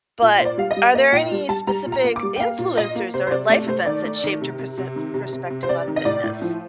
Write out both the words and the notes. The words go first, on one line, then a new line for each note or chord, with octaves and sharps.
but are there any specific influencers or life events that shaped your perse perspective on fitness?
A#2
A#2 C5
D5
G3 F5
D#5
G3
A#3 D#5
A#2 G5
G3
G3 A5
G3 A#5
A#2
A#5
A#3
D6
G3
G5
A#3 F5
A#2
A#2 D#5
A#3
C3 C5
C5
C3 D5
A3 D5
A3 C5
D#3 D5
A3
D#3
C3
C3
C3
D#3
C3
C3
C3
C5
C3 D5
D#3
D#5
A2 D5
A2
F3